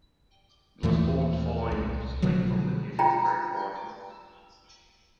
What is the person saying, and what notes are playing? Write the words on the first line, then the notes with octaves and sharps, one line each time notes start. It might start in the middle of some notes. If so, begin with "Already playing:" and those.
It was formed following a split from the New Democratic Party.
D#2 A#2 E3 A3
C2
B2 D3 F3 F#3
F4 G5 A#5